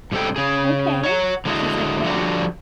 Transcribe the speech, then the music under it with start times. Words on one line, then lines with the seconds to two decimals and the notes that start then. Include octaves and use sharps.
"Okay." She's like, "Well"
0.12 G2 C3 G#3 A4 G5
0.36 C#3 G#4
1.03 C#5 F#5
1.45 D3 G#3 B3 D#4 E4 F#4
2.04 D3 F3 G3 D4 F#4